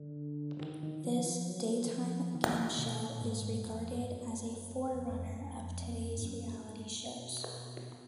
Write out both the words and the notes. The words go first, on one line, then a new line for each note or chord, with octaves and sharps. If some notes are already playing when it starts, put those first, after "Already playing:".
This daytime "game show" is regarded as a forerunner of today's reality shows.
Already playing: D3
D#3
D#3
F3
F3
F#3
D#3
F3
D#3
F3
D#3
B2
A#2
G#2
F2
G#2
F#2
F2
F2
F#2
F2
G#2
F#2
G#2
A#2
B2